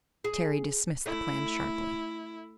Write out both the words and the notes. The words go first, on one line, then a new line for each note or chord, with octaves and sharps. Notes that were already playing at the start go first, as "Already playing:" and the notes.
Terry dismissed the plan sharply.
G#4
A3 E4